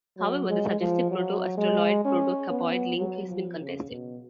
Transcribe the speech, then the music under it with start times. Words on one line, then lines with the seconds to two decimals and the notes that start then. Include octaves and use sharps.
However, the suggested Proto-Australoid-Proto-Capoid link has been contested.
0.18 F#3
0.49 G#3
0.80 F3
1.10 F#3
1.57 G#3
2.05 C#4
2.50 B3
2.97 F#3
3.29 F3
3.60 C#3
3.91 B2